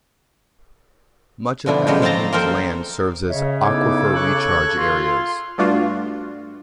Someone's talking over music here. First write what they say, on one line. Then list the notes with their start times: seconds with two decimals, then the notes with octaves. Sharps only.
Much of Effingham's land serves as aquifer recharge areas.
1.66 B2 D3 F3 D4 E4
1.87 C#3 F3 F#3 G#3 D#4 G4
2.02 F3 C4 C5 A5 A#5
2.33 A#3 C4 A4 A#4 C5
3.28 C#3 C#5 D#5 E5
3.64 B3 D#4 E4 A4 D6 E6 G#6
4.15 C#6 F#6
4.78 F4 C6
5.58 G2 A3 D4 F4 F#4